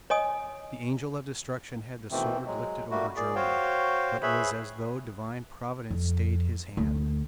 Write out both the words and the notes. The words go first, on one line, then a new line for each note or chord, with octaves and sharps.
The Angel of Destruction had the sword lifted over Germany, but it was as though divine providence stayed his hand.
C#5 D#5 G#5 D#6
B2 D#3 E3 A3 C4
F#3 G#3
A#2 G3 A3 A#3 F#4
A#2 G#4 D5
F#4 C5 C#5 F5 G5
G#4 B4 C#5 E5 B5
F2
D2